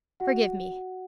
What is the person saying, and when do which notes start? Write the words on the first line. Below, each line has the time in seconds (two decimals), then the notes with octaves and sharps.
Forgive me.
0.20 F#4 F#5